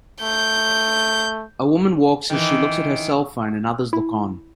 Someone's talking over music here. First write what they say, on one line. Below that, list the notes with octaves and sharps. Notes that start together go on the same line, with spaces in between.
A woman walks as she looks at her cellphone and others look on.
A3 G6
D#3 E3
E4